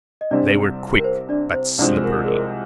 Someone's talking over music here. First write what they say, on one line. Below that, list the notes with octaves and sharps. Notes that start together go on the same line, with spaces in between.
They were quick, but slippery.
D#5
C2 C3 G3 C4 D4 D5
A#4
C5
D4 D5
C5
C2 C3 F3 G#3 C4 D4 D5
A#4
G#4
A#4